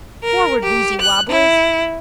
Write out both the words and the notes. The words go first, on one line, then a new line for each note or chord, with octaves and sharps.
Forward, woozy wobblers!
A#4
G4
F#6
E4